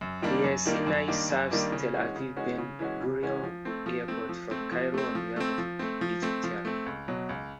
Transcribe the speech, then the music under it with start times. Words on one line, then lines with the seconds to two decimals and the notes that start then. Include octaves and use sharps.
Air Sinai serves Tel Aviv-Ben Gurion Airport from Cairo on behalf of Egyptair.
0.01 F#2
0.22 D#3 G3 A#3 D4
0.44 F#2
0.65 D#3 G3 A#3 D4
0.87 F#2
1.08 D#3 G3 A#3 D4
1.30 F#2
1.51 D#3 G3 A#3 D4
1.72 C#3
1.94 E3 G#3 C#4 F#4
2.16 C#3
2.36 E3 G#3 C#4 F#4
2.58 C#3
2.79 E3 G#3 C#4 F#4
3.01 C#3
3.23 E3 G#3 C#4 F#4
3.43 F3
3.65 A3 C4
3.86 F3
4.08 A3 C4
4.29 F3
4.51 A3 C4
4.72 F3
4.94 A3 C4
5.15 F3
5.36 A3 C4
5.58 F3
5.79 A3 C4
6.01 F3
6.22 A3 C4
6.44 F3
6.65 A3 C4
6.86 C#2
7.08 B2 F#3
7.29 C#2